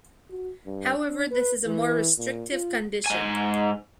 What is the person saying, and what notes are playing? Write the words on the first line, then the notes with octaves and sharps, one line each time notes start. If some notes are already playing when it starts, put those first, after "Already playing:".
However, this is a more restrictive condition.
F#4
G2
D4
B4
E3
A#2
F4
G#2 G#5